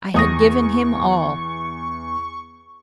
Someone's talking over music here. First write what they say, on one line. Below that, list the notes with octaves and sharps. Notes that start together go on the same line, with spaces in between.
I had given him all.
E2 C#6 D#6 A#6